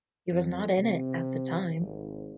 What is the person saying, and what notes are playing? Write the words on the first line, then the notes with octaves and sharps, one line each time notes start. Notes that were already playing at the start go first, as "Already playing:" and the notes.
He was not in it at the time.
F2
C3
G#1